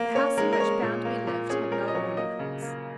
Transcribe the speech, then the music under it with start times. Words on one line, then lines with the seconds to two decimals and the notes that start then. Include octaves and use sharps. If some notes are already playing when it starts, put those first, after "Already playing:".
The house in which Bounderby lived had no ornaments.
Already playing: A#3
0.15 C#4 C#5
0.37 G#3 A#4
0.53 A#4
0.60 G#3 C#5
0.82 A#2
1.05 A#3
1.27 A#2
1.50 C#4 G#4
1.62 G#4
1.72 C#4 A#4
1.88 D#5
1.95 F#3 C#5
2.17 A#3 D#5
2.39 C#3
2.62 A#3